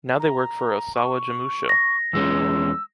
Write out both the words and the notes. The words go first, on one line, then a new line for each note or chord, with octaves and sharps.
Now they work for Ohsawa Jimusho.
A#5
C#6
A#6
E2 G#3 C#4 E6